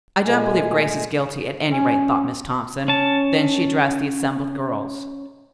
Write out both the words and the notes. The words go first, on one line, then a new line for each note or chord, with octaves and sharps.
"I don't believe Grace is guilty, at any rate," thought Miss Thompson; then she addressed the assembled girls.
A#2 G#3 A3 G#5
C#4
C#4 A5